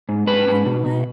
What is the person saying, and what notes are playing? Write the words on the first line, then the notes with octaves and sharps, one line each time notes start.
You know what
G#2
G#2 B4
G#2
B2
B2